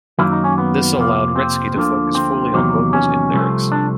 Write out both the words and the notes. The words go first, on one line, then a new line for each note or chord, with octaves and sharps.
This allowed Renkse to focus fully on vocals and lyrics.
F#2 D#3 F#3 A#3 E4
D#4
C#4
B3
F2 C3 F3 A#3
C4
D2 D3 F3 A#3
C4
E2 C3 D#3 F#3 A#3
C#4
C2 C3 F3 A3
D4